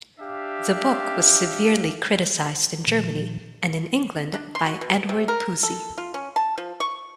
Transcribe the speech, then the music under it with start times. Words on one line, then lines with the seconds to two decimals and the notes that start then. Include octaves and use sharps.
The book was severely criticized in Germany, and in England by Edward Pusey.
0.20 D4 G4 E5 F5
2.87 A#2 D#3 F3
4.34 D4
4.55 C6
4.66 F#4
4.81 B2
5.09 C3
5.28 A#4
5.63 A4
5.98 F4
6.14 C#4
6.36 A5
6.58 F3
6.80 C#6